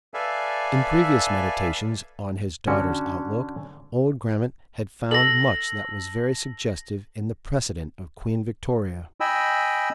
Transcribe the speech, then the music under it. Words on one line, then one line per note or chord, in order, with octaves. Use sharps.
In previous meditations on his daughter's outlook old Grammont had found much that was very suggestive in the precedent of Queen Victoria.
A4 B4 D5 E5 F5 G#5
D3 C#4 F#4
A4 A#6 F#7
D#5 G5 G#5 B5 E6